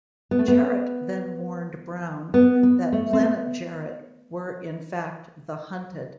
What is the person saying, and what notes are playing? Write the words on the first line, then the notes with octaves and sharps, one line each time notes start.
Jarrett then warned Brown that Planet Jarrett were in fact "the hunted".
B3
A3
B3
B3
B3
A3
C4
B3